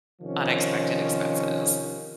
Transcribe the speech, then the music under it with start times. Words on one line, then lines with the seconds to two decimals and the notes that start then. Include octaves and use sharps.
unexpected expenses.
0.21 C3 D#3 F3 C#4